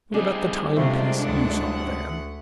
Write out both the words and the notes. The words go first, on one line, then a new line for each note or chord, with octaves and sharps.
"What about the time-piece you saw, Van?"
C#3 G3 D4 G#4 D#5
C3 G#3 A3 D4 F4
D2 F#5